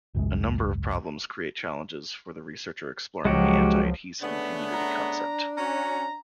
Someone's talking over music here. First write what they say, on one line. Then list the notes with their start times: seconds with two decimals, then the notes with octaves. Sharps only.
A number of problems create challenges for the researcher exploring the anti-adhesin immunity concept.
0.15 G#1 C#2 F#2 G#3
3.25 C#2 F3 F#3 G#3 F#4 G4
4.22 C#3 A3 B3 D4
4.73 A#5
5.57 C#4 F#4 A#5